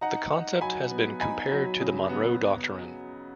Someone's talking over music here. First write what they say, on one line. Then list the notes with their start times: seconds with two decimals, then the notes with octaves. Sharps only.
The concept has been compared to the Monroe Doctrine.
0.01 D#4 F#5 A#5
0.32 D#4
0.61 F#3 G#5 B5
0.91 B3
1.20 D#4 G#5 B5
1.51 F#3
1.80 C#3
2.09 B3